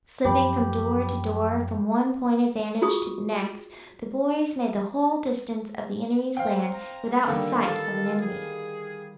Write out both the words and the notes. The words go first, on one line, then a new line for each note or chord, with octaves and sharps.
Slipping from door to door, from one point of vantage to the next, the boys made the whole distance of the enemy's land without sight of an enemy.
F#2 F3 G4 B5
F4 F#4 G#4 C#6 D#6
C4 F5 G5
A#5
D3 D#3 G3 A#3 D4 A4
A4 F5
G#4